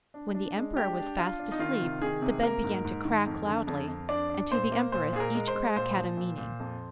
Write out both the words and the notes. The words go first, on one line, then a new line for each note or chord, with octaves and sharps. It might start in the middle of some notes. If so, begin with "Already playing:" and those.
When the emperor was fast asleep, the bed began to crack loudly, and to the empress each crack had a meaning.
D4
D4
G#3
D4 G4
D4
D4 F4
D4
D#4
D#3 F4
C3
D#3 G#4
C3
A#3 A#4
G#2
G#2
D#3
F2
D3
F2
F2
D4 D5
D4
A#2 C5
A#3
A#2 C5
A#2 G#4
A#4
G#3
C5
G#3
A#2 C5
F3
A#2
A#2
F2